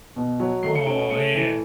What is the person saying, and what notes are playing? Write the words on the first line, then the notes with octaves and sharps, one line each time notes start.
Aw, yeah.
B2
F#3
A3 C7
C#7
C#4 D7
D7
A3 C#7
E3